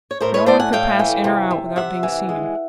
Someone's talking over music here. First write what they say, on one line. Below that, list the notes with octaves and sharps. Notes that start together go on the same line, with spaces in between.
No one could pass in or out without being seen.
C#5
A2 A#4 C5
B4 C#5
A3 C5 D5
F#5 G#5
A2 F5 G5
E3
C3
C3
C3 E5 F#5
E3
G#3